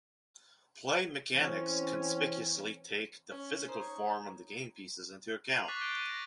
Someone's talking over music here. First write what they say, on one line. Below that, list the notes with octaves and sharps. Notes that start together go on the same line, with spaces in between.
Play mechanics conspicuously take the physical form of the game pieces into account.
E3 C4 C#4
C#4
D#4 A#4 C5
C#5
C7 D#7 F7 F#7
C#6 D6 F#6 A6 B6 C7
D6 F#6 G6 D7 F7 G7
D#7
A#6